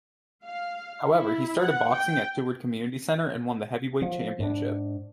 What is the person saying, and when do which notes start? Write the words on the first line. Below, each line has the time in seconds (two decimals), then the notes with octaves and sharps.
However, he started boxing at Seward Community Center and won the heavyweight championship.
0.45 F5
1.11 E4
1.62 F#5
1.94 G5
4.02 F3
4.40 G#2 D4